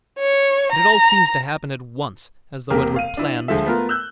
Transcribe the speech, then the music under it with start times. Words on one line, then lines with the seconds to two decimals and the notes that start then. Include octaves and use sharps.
And it all seems to happen at once, as though it were planned.
0.19 C#5
0.72 A#5
2.70 E1 C3 A#3 G4 A#4
2.96 F5 D#7
3.17 D4 E4
3.48 D2 F3 G#3 A4 E5
3.65 A3 B3 F4 A#4
3.89 E6 F#6 G6